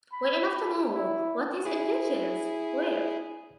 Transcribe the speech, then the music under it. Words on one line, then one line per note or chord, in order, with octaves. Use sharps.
Well enough to know what his intentions were?
B5
E4
E4 G#4